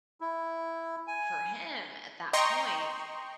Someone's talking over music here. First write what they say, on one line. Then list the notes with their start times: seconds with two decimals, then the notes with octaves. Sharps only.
for him, at that point
0.21 E4
1.07 G#5
2.33 D#5 G5 A#5 C6 C#6